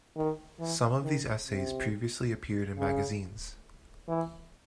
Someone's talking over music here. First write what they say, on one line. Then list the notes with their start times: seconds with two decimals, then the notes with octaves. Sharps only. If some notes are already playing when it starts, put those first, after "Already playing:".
Some of these essays previously appeared in magazines.
0.16 D#3
0.59 E3
1.02 D#3
1.47 C3
2.78 C#3
4.08 E3